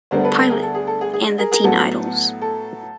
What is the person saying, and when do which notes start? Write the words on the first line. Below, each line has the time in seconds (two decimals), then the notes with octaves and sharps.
Pilot, and the Teen Idols.
0.11 D2 D3 G3 B3 D4 A#4 C5
0.24 A4 B4
0.37 A4 B4
0.49 G#4 A#4
0.63 A4
0.75 G#4
0.87 A4
1.01 G#4
1.14 G#4
1.38 G#4 A#4
1.51 G#4 A#4
1.64 A2 F#3 B3 A4
2.42 A4